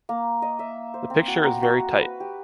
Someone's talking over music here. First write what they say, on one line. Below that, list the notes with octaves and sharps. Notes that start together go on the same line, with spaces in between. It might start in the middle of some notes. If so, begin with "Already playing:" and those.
The picture is very tight.
A#3
D#5
E5
C5
C4
F#4
A#5
F#4
B4
G4